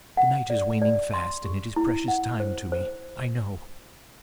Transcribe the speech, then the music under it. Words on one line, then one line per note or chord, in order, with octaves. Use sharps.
The night is waning fast, and it is precious time to me, I know.
F#5
D5
D5
C6
G4
E4
F#5
C5
C5